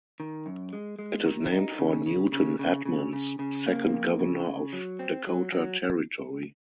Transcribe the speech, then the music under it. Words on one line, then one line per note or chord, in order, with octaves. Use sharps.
It is named for Newton Edmunds, second Governor of Dakota Territory.
D#3
F#2
G#3
G#3
D#3
D#4
C#3
C#3
C#3
C#3
C#3
C#3
C#3
A#3
F2
C#3
C#3
F#3
C4
F#3
F#3